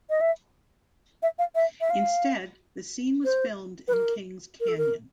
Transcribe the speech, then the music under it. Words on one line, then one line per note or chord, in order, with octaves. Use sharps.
Instead, the scene was filmed in King's Canyon.
D#5
E5
E5
F5
E5
E5
F5
C5
B4
A#4
A#4
A4
A#4